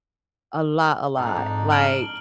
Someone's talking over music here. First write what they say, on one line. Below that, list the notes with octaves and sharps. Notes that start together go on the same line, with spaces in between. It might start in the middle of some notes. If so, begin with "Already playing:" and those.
A lot, a lot, like
F2 G#2 D4 D#4
F6 D7 F#7